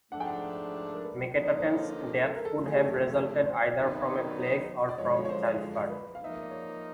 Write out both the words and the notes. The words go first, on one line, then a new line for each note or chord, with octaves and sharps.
Meketaten's death could have resulted either from a plague, or from childbirth.
G#2 F3 A3 D4 F#5
G5
F#5
F5
A#4
B4
D3 F3 A#3 D#4
C5
C#5
A4
A#4
A4
F#2 D3 F3 A3 D4
G#4
G4
G4
C5
F#2 D#3 F#3 B3 D#4
D5
C#5
D5
F#2 D3 F3 G#3 C#5
C#5
C#5
C5
B4
F5
F3 A#3 D#4 E5
D#5
D5
C#5